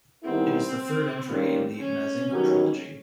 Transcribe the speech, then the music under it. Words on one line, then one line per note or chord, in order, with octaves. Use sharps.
It is the third entry in the Mazinger trilogy.
C3 D#3 G3 B3 C4 E4
D#3 G3 A#3 C#4 F4
C#4
D#3 F#3 B3 D#4 G4